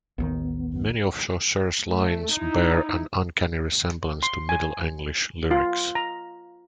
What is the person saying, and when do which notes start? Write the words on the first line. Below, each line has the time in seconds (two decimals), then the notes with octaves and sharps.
Many of Chaucer's lines bear an uncanny resemblance to Middle English Lyrics.
0.18 A1 D#2 D#3 B3
1.87 A3
2.33 D#4 E4
4.23 C6
4.49 G#5
5.51 F4
5.95 A#5